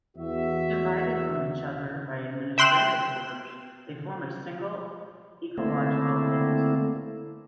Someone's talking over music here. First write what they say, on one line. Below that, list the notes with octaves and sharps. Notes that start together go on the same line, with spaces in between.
Divided from each other by administrative borders, they form a single ecological entity.
E2 F#4 E5
E5 G5 C6 F#6 E7
D3 A3 A#3 C4 E4